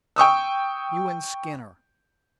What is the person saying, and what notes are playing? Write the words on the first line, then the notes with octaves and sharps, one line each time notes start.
"You and Skinner."
G5 C#6 D#6 E6